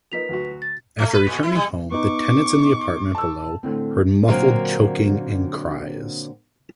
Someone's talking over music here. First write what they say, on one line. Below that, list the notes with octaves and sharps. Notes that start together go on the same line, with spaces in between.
After returning home, the tenants in the apartment below heard muffled choking and cries.
F3 A#3 D#4 B4 B6 F7
D2 F#3 F#4
A6
A3
B4
A#2
E4
G3
B3 D#4 C#6 D6
A5 E6
A2 D3 C4
A#2 D3 F#3 A3 A#3 C4